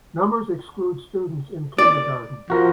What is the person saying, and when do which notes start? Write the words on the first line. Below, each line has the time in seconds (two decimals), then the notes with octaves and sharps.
Numbers exclude students in kindergarten.
1.78 D5
2.50 F3 F#4 A#4